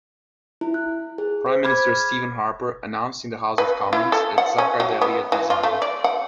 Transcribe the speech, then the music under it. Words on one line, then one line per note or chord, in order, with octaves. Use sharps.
Prime Minister Stephen Harper announced in the House of Commons that Zaccardelli had resigned.
E4
F#6
G#4
C5
B5 D6 F6 G#6
B4
E4
A4
F#5
C#4
F#3
B3
E3
F4
A3
D5
F#5